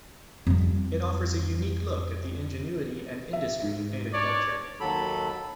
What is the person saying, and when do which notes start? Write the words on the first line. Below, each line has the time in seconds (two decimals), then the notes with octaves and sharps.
It offers a unique look at the ingenuity and industry of native culture.
0.47 F2 G3
3.33 E5
3.62 G#2
4.13 D4 C#5 D5
4.80 D#2 F#3 A4 B5